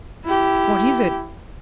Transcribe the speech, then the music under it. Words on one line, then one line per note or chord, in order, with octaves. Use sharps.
What is it?
E4 G4